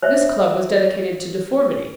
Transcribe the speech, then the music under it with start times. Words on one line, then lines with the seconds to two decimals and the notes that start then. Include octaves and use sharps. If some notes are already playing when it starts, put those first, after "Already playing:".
This club was dedicated to deformity.
0.02 C5 C#5 E5